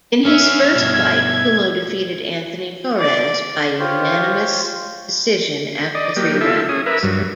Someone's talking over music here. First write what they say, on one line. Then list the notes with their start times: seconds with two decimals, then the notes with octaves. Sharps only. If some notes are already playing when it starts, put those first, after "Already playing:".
In his first fight, Cummo defeated Anthony Torres by unanimous decision after three rounds.
0.25 F#3 C#4 E5 F6
0.76 G2 B2 G#6
3.00 D5
3.79 F4 G4 C5 C#5
5.95 D5 D#5
6.16 F#3 A#3 G4
6.41 E4 F4 A4 E5
6.69 C#4 G#4 D#6
6.86 A#4 B4 E5
7.03 G2 F#3